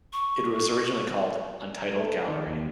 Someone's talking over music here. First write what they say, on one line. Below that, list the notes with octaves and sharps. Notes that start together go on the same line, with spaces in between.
It was originally called Untitled Gallery.
C#6
A#5
A3
D#3
D#2